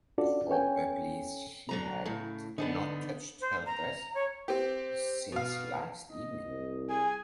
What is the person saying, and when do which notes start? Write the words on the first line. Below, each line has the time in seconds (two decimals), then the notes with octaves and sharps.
Probably she had not touched her dress since last evening.
0.18 C#4 D4 F4 F#4 A4 D5
0.49 C#4 A4 C#5 G5 G#5
1.69 D3 F#3 A#5
2.05 A2 C#3
2.58 D3 B3 D4 D#4
3.40 C5
3.65 A#5
4.14 C#5
4.48 C4 G4
5.32 B2 F5
6.12 D#5
6.43 C2
6.90 G#4 G#5